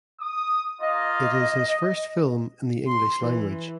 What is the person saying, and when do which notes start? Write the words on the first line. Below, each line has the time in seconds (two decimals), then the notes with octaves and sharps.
It is his first film in the English language.
0.20 D#6
0.82 A#3 F4 D#5 F5
2.87 C6
3.25 E3